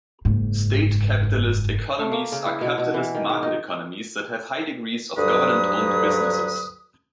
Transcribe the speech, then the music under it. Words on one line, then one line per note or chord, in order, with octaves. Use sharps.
State capitalist economies are capitalist market economies that have high degrees of government-owned businesses.
F#1 G#2
A3
A#3
C#3
E4
B2
B2
E3
D#3
G#2
D#4
D2 G2 D3 F#3 B4 D#6